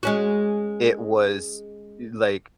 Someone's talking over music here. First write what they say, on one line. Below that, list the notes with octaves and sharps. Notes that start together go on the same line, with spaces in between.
it was i like,
G#3 C#4 F#4